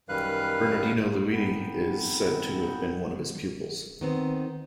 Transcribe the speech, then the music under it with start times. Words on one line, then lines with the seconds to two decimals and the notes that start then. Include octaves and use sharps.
Bernardino Luini is said to have been one of his pupils.
0.09 F#2 D#3 G3 B4 F5 F#6
1.31 B3 C4 D#4
4.01 D#3 B3 C4